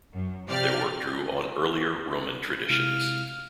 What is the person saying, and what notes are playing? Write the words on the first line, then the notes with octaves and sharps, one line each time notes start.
Their work drew on earlier Roman traditions.
F#2
C3 F3 G4 D5 F6
C3 G#3 E4 F5 F6